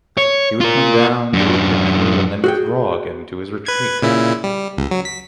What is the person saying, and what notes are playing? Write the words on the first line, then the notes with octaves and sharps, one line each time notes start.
He would come down, do a picture, and then withdraw again to his retreat.
C#5
F4 A#4
F#2 D4
F#4 G#4 G5
B4 G#6
A#2 C#3 E4
G3
C#2
F#3
B6